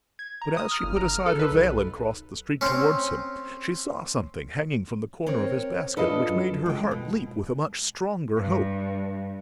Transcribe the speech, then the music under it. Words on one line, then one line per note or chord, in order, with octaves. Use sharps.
But as she put aside her veil and crossed the street towards him, she saw something hanging from the corner of his basket which made her heart leap with a much stronger hope.
G#6
A#5
D#6
F6
G1
A#5
F6
A4
B4
B1
C4 C#4
C4 A#4 C#5
D4 F4 A4 B4 D#5
F#2
G#3 G5
B2
G2